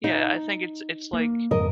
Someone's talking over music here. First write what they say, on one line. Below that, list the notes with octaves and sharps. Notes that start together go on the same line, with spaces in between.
Yeah, I think it's it's like,
D#4
A#3
F2 G#2 C#3 A#4 D#5